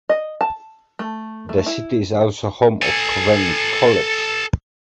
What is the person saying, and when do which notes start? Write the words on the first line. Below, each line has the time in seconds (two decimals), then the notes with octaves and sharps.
This city is also home to Covenant College.
0.09 D#5
0.41 A5
0.99 A3
1.49 A3
1.66 E4
2.82 A4 G#5